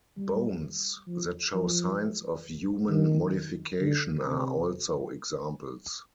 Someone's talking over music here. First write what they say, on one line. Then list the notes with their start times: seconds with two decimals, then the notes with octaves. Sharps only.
Bones that show signs of human modification are also examples.
0.17 G3
1.07 F3
1.54 F3
2.89 D#3
3.81 D3
4.26 C3